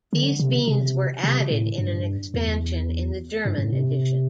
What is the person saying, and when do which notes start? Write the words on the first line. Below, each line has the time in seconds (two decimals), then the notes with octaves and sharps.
These beans were added in an expansion in the German edition.
0.13 D3
0.39 C3
0.68 C3
1.24 C3
1.50 A2
1.78 G2
2.34 E2
3.45 G2
3.58 G2
3.65 A2
3.72 C3